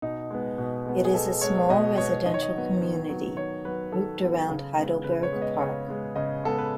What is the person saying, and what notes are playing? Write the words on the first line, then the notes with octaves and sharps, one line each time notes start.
It is a small residential community, grouped around Heidelberg Park.
B2 D#4
G#3 B3
B2
G#3 B3
G#4
B2 A4
G#3 B3 C#5
B2 D#5
G#3 B3 C#5
D#3 D#5
C#5
D#5
F#3 B3
D#3
F#3 B3
D#3 C#5
F#3 B3 B4
D#3 A4
F#3 B3
C#3
G#3 B3
C#3 B4
C#5
G#3 B3
D#5
C#3 C#5
G#3 B3
C#3 D#5
G#3 B3 A4
B4